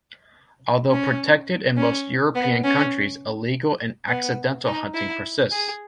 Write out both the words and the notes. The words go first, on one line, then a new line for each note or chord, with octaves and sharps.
Although protected in most European countries illegal and accidental hunting persists.
C#4
C#4
B3
C#4
B3
D#4
E4
G#4